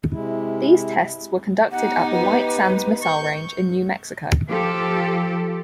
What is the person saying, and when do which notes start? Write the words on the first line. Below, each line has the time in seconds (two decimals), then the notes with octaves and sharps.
These tests were conducted at the White Sands Missile Range in New Mexico.
0.11 C3 G#3 E4
1.72 B3 D#4 G4 F#5
2.13 B4
3.02 C#6 G6
4.49 F3 G4 A4